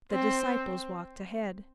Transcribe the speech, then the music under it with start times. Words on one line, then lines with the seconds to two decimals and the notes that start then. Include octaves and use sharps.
The disciples walked ahead.
0.12 C4